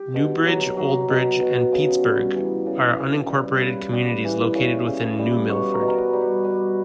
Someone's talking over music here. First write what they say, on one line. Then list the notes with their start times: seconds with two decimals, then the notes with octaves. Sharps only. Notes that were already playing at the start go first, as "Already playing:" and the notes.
New Bridge, Old Bridge and Peetzburgh are unincorporated communities located within New Milford.
Already playing: G4
0.14 B2
0.46 F#3
0.77 F#3
1.09 B2
1.40 B2
1.72 C#3
2.03 G3
2.35 E3
2.66 C#3
2.97 C#3
3.29 G3
3.61 C#3 B4
3.92 G3
4.24 E3
4.55 C#3
4.87 C#3
5.18 G3
5.49 B2 C#5
5.74 A#4
5.81 B2
5.88 A#4
5.97 B4
6.13 G3
6.21 B4
6.44 G3 B4